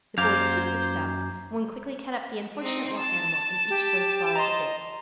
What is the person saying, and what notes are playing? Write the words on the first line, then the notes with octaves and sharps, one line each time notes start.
The boys took the "stump," one quickly cut up the unfortunate little animal and each boy swallowed a bit.
F#2 A#3 C5 F5 A#5 D6 G6 G#6
C4 D#4
A5
G4
D#5 A#5 C6